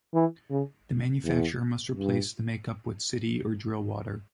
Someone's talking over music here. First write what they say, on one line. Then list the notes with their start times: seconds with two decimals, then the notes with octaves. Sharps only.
The manufacturer must replace the make-up with city or drill water.
0.14 E3
0.50 C#3
1.24 E2
1.97 G2